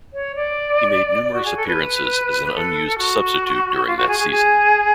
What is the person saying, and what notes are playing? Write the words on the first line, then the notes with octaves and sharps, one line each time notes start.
He made numerous appearances as an unused substitute during that season.
C#5
D5
D5
F#4
G#4
A4
B4
A4
F#4
F4
F#4
G#4
G#4
G#4